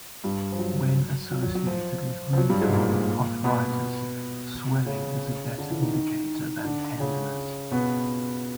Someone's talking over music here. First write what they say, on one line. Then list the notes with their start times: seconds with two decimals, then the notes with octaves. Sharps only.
When associated with rheumatoid arthritis, swelling is a better indicator than tenderness.
0.24 G2 G3
0.52 F3
0.59 F#3
1.31 F#3
1.43 F#3
1.55 F#3
1.67 F3
2.33 F3
2.38 F#3
2.50 G2 G3
2.62 G#2 G#3
2.74 A#2 A#3
3.44 B2 B3
4.86 C#3 C#4
5.58 D3 D4
5.71 E3 E4
5.82 D#3 D#4
5.94 D#3 D#4
6.64 D3 D4
7.00 C#3 C#4
7.71 B2 B3